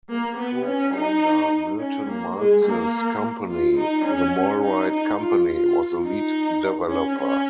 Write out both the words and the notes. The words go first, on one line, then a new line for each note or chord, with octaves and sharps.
Co-founder Milton Maltz's company, The Malrite Company, was the lead developer.
A#3
B3
C#4
D#4
C#4
A#3
G#3
A#3
F4
D#4
C#4
D#4
D#4
F4
F4
D#4
C#4
C#4